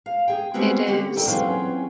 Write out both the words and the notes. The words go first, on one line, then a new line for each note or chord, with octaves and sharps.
It is.
F5
G#4 G5
G3 G#3 B3 C4 F#4 G#4
D3 C#4 G4
D2 D#4 A4 G5
E3 F#3 C4 C#4 F4 G#4